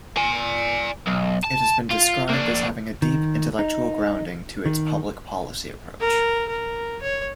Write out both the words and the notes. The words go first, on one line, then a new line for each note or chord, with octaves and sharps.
It has been described as having a deep intellectual grounding to its public-policy approach.
D5 G#5
B1
A5
F4
A#3 D4
D#3
D#4
D#3
A#4
A#4
C#5